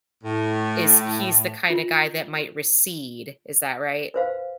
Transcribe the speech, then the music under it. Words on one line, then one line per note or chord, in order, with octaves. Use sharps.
is he's the kind of guy that might recede, is that right?
A2
F4
B4 C5 F5